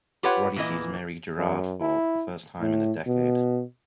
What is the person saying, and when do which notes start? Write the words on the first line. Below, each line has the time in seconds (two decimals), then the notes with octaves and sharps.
Roddy sees Mary Gerrard for the first time in a decade.
0.23 F4 G4 B4 C#5 F#5
0.56 A#2 E3 D#5
1.37 F#2
1.81 E4
2.61 A2
3.07 B2